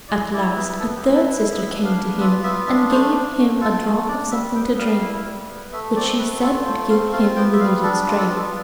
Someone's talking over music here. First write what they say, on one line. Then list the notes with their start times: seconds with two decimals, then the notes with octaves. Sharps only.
At last a third sister came to him and gave him a drop of something to drink, which she said would give him the needful strength.
0.08 E4 D5
0.33 E4 D5
0.56 B3 B4
0.79 B3 A4
0.96 G4
1.03 E4
1.15 A4
1.27 E4
1.32 B4
1.50 B3 E5
1.73 D4
1.84 F5
1.97 B3
2.19 F4 E5
2.43 B3 E5
2.66 D4 E5
2.91 A3 C5
3.14 D4
3.37 A3
3.60 F4 A4
3.85 A3
4.07 D4 D5
4.31 G3 E5
4.55 B3 G5
4.78 G3 F5
5.02 E4
5.25 G3
5.49 B3
5.72 A3 E5
5.96 C4 D5
6.19 A3 B4
6.42 F4 A4
6.65 A3 C5
6.89 C4 F5
7.13 F4 F5
7.36 B3 G5
7.53 E5
7.60 G3 F5
7.83 D4 A4
8.01 B4
8.07 F4
8.18 A4
8.30 B3
8.36 A4